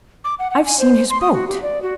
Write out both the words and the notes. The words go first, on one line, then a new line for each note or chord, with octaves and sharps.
'I've seen his boat.'
D6
F#5
F#5
G#5
C5
C6
D#6
F#4
G4
D5
F#4